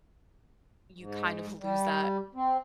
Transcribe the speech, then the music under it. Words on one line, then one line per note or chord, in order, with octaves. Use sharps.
you kind of lose that
G#2
G3
C4